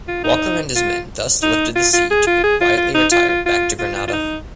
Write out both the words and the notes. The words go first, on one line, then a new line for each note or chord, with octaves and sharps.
Walker and his men thus lifted the siege and quietly retired back to Granada.
F4
D#4
F4
D#4
F4
F4
G#4
F4
G#4
F4
F4
D#4
F4
F4
F4
F4
F4
F4
D#4